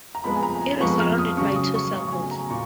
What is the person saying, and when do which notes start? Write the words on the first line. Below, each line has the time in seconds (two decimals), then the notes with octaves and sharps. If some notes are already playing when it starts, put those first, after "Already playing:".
It is surrounded by two circles.
0.15 A#5
0.24 F2 F3 G#3 B3 B5
0.35 G#5
0.43 A#5
0.61 G#5
0.80 F2 F3 G#3 B3 C#6
1.00 F6
1.19 D#6
1.37 C#3 F#3 C#4 C#6
1.56 D#6
1.75 C#6
1.93 C#3 F#3 C#4 C#6
2.12 G#5
2.23 G#5
2.31 A#5
2.50 A#2 C#6